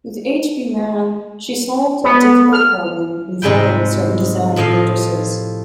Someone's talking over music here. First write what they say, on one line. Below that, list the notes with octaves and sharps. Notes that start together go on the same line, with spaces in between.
With H. B. Mann, she solved a difficult problem involving certain design matrices.
B3
F6
G#2 C3 G#3 B4 G5
A2 F3 D#5 F5